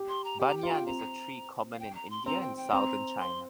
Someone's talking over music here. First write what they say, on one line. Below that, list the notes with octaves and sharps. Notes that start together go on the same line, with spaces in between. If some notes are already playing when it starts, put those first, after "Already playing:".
"Banyan" is a tree common in India and southern China.
Already playing: G4
C6
A#5
G4 G5
A#5
G5
F4 A#5
G5
C4 A#5
F5
G5
A#5
C6
C4 A#5
G5
G5
C4 A#5
C6